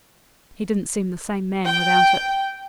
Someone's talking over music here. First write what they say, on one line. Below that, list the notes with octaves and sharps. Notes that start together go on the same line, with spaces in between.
He didn't seem the same man without it.
G5